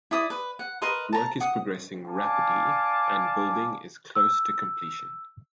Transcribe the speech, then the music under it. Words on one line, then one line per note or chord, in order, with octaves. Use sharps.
Work is progressing rapidly and building is close to completion.
E4 D5 D#6
B4
F#5
A#4 B4 D#5 C6
A5 A#5
F#5 D#6
D4 F5 G#5 A5 D6
E6